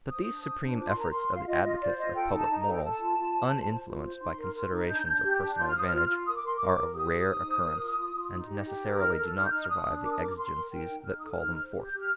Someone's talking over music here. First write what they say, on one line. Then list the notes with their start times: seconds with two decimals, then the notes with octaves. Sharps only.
But these supreme efforts of the advocates of public morals, uninfluenced by considerations of personal advantage, are of rare occurrence, and necessarily do not survive the exigencies that call them forth.
0.09 C5 D#6
0.27 D4
0.44 C5
0.61 D4
0.78 F4 D6
0.88 C6
0.95 A#4 A#5
1.10 A#4 C6
1.29 F4
1.35 F5
1.46 F4 D#5
1.63 F4 D#5
1.81 C5 D5
1.97 F4 D#5
2.14 A4 G5
2.32 D#4
2.38 A5
2.50 D#4
2.61 A#5
2.67 A4
2.72 G5
2.83 A4 A5
3.01 F4
3.18 F4
3.34 C5
3.52 F4
3.69 C5
3.86 F4
4.04 C5
4.21 D#4 C6
4.38 A#4
4.54 A#4
4.71 D#4
4.88 D4 G6
5.06 D4
5.23 G4
5.40 D4
5.57 F4 G6
5.67 F6
5.75 C5 D#6
5.87 F4 F6
6.08 F4
6.26 A#4 D#6
6.36 D6
6.43 A#4 C6
6.56 A#4 D6
6.78 A#4
6.94 G4 D#6
7.12 G4
7.29 D#4
7.47 C5
7.64 A#4
7.80 F4
7.97 F4
8.14 F4
8.32 D#4
8.49 G4
8.66 G4
8.83 A#4
8.99 D#4 F6
9.18 A4 F6
9.35 D#4 F6
9.45 G6
9.51 D#4 F6
9.63 F6
9.68 D4 D#6
9.86 D4
10.03 A#4 D6
10.12 D#6
10.20 A#4 D6
10.37 A#4 C6
10.55 A#4
10.71 A#4 G5
10.89 D#4
11.05 D#4 F6
11.19 A4 D#6
11.32 F6
11.40 D#4
11.57 C5
11.74 G4
11.85 G6
11.92 G4
11.99 F6